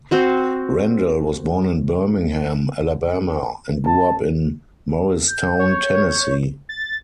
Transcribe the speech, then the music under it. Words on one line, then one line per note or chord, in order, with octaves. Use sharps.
Randall, was born in Birmingham, Alabama and grew up in Morristown, Tennessee.
C4 F#4 C5
A5
G6
C#5
A6